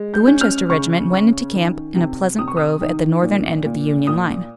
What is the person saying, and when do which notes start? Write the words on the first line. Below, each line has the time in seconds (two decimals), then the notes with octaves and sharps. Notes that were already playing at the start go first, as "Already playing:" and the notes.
The Winchester regiment went into camp in a pleasant grove at the northern end of the Union line.
Already playing: G#3
0.14 G6
0.27 C#4
0.41 F6
0.69 C#3 C#6
1.12 C#4
1.54 D#3
1.96 C3
2.39 C3 D#6
2.48 C#6
2.57 D#6
2.81 D#3
3.23 A#2
3.65 A#2
4.07 A#2 D#6